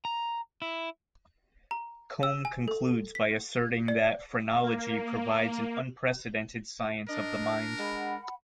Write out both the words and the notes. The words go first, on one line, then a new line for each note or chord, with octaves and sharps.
Combe concludes by asserting that Phrenology provides an unprecedented science of the Mind.
A#5
E4
A#5
E6
G#5
A4
B6
D5
A#3
D4 A#4 D#5
G#3 F#5 B5